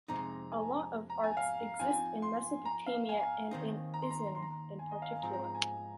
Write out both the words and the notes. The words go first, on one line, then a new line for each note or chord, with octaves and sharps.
A lot of arts exist in Mesopotamia and in Isin in particular.
F2 C3 G#3 D#4 A#5
G#5
A#5
G#5
F5
F2 F3 C4 D#4 G#5
C6
A#5
F5
G#5
D#2 D#3 C4 D#4
A#5
C6
A#5
C6
A#5
C6
A#5
G#5
D#5
F5
G#5
G#2 F3 C4 A#5
A#5
A#5
G#5